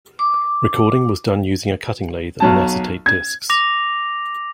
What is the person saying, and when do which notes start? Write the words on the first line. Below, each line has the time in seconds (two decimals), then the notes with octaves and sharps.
Recording was done using a cutting lathe and acetate discs.
0.19 D6
2.40 B1 F#3 A5
3.06 G#6
3.50 D6 A#6 F7